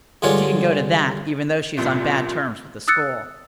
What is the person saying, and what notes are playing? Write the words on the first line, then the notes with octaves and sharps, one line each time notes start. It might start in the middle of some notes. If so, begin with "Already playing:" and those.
"She can go to that, even though she is on bad terms with the school."
G2 D3 G#3 F4 C#5
C2 F2 A#2 F4
D#6 E6 F#6 A6 C#7